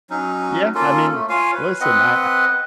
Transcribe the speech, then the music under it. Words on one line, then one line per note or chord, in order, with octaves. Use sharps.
Yeah. I mean, listen. I
F#3 C#4 D#4
A#3 C#4 F4 A4
A3
F4 C#5 F5 G#5
B4
C4 B4 D#5 F#5